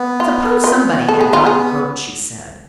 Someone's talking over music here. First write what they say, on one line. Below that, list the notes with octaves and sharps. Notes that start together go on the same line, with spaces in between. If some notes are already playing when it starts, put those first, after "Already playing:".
"Suppose somebody had gotten hurt," she said.
Already playing: B3
F4
F4
A4
G#4
F4
G#4